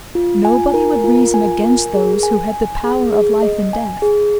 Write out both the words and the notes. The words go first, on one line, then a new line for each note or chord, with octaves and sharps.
Nobody would reason against those who had the power of life and death.
F4
G#5
A#4
F4
G#5
A#4
G#4
G#5
G#5
G#4
G#4
D#5
G#5
G#4